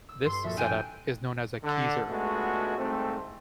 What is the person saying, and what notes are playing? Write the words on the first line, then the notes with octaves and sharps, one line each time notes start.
This setup is known as a keezer.
E6
G2 C6
A#1 F#4 A4 E5
D4 A4 G5 G#5
D3
C#2 G#3 A3 B3 D4 F#4
C2 G#2 A3 C4